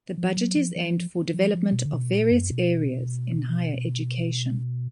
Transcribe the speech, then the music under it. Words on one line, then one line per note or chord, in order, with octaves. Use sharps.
The budget is aimed for development of various areas in higher education.
F3
F#3
F3
F3
F3
F3
B2
D3
B2
A#2
F#2
B2